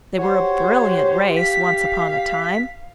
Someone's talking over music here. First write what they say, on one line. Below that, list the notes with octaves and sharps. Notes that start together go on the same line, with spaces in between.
They were a brilliant race once upon a time.
F#4 G4 C5 C#5
F5 B6